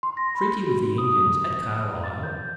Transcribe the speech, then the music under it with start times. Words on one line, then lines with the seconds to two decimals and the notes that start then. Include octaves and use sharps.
Treaty with the Indians at Carlisle.
0.03 C6
0.17 A#6
0.35 B5
0.63 F#4
0.98 D#6
2.04 A6
2.23 G6